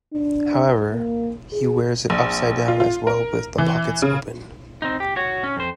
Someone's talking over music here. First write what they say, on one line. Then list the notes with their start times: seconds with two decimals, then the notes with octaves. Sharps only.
However, he wears it upside-down as well with the pockets open.
0.13 D4
0.93 A#3
1.52 G#4
2.10 A#1
2.68 F4
2.80 F4
3.07 A#4
3.58 E3
4.02 C#3
4.82 C4 D#4
5.00 G4
5.16 F#4 C#5
5.44 C#4
5.57 F2 C5